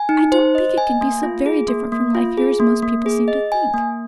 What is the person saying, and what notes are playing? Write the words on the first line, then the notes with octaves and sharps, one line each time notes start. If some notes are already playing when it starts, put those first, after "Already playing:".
I don't think it can be so very different from life here as most people seem to think.
Already playing: G#5
D#4
C5
D#5
G#5
A#3
F4
G#4
A#3
A#3
F4
G#4
A#3
A#3
G#4
D#5
G#5
A#3